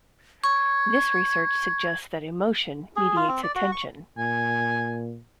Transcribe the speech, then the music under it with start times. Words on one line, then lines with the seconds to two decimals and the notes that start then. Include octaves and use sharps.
This research suggests that emotion mediates attention.
0.44 C#6 G#6
2.96 G#4
3.16 F4
3.28 C4
3.43 D5
3.55 F#4
3.72 C#6
4.18 A#2 G#5